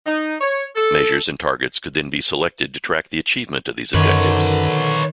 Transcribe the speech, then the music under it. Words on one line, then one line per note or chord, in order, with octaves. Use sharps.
Measures and targets could then be selected to track the achievement of these objectives.
D#4
C#5
A4
F#2 D3 D#3 B4 C#5